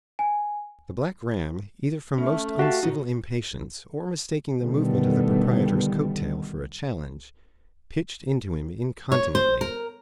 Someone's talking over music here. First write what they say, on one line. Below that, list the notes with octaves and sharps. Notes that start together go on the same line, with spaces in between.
The black ram, either from most uncivil impatience, or mistaking the movement of the proprietor's coat-tail for a challenge, pitched into him incontinently.
G#5
A3 C#4
F#4 G4 F5 A5
A#2 C#4 D#4
B2 D3 D#3 G3 A3 B3
C#5
C5
A#4